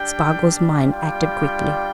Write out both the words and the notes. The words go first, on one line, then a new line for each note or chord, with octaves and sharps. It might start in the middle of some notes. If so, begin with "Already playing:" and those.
Spargo's mind acted quickly.
Already playing: G3 D4 G4 G5
G3 D4 F4 G5